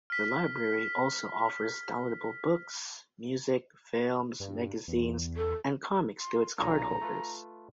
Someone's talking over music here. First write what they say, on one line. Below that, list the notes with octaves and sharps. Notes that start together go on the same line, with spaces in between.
The library also offers downloadable books, music, films, magazines and comics to its cardholders.
F6 B6
G2
E2
A4
C6
B1 A#2 C#4 A#5
A3 F4 B4